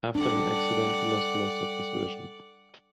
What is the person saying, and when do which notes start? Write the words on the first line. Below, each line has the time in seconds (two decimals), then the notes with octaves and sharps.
After an accident he lost most of his vision.
0.15 G3 D4 A4 D5 F#5 G5